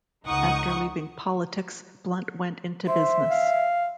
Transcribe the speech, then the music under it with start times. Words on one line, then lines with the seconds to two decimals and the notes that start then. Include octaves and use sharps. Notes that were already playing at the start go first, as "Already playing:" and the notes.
After leaving politics Blunt went into business.
0.25 C#2 D#4 F#5 C#6 D#6
2.88 C5 E5
3.31 F5